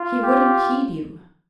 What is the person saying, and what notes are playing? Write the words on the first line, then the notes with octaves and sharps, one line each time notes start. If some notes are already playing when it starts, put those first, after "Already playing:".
"He wouldn't heed you."
Already playing: F4
G4